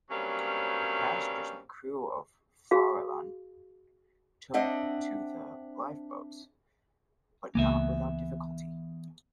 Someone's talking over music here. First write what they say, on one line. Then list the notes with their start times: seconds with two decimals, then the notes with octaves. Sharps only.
The passengers and crew of "Farallon" took to the lifeboats, but not without difficulty.
0.11 G2 C3 F#3 G3 A#3 C#4
2.71 F#4 G#4 F5
4.54 C4 D4 D#5 E5 F#5
7.55 C#2 E3 A#3 B3 E5